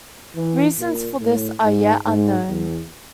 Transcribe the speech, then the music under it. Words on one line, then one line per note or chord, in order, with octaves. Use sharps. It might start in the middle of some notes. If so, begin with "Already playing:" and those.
Reasons for this are yet unknown.
E3
A#2
A2
G#2
G#2
E2